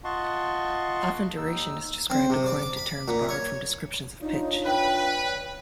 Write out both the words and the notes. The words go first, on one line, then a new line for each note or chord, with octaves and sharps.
Often duration is described according to terms borrowed from descriptions of pitch.
F4 D#5 F#5 A5 C6 C#6
D#2 D#4 E6
C4
C3
D5
D6
B5
A#2
C#5
D4 D#4 F4 C#5
B4 G5